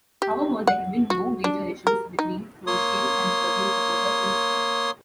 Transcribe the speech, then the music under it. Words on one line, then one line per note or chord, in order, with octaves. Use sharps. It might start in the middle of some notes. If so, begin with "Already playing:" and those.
However, there have been no major issues between Croatian and Serbian supporters since then.
G4
F#5
F#4
D4
A#4
D#4
A#3 C#5 C6 D#6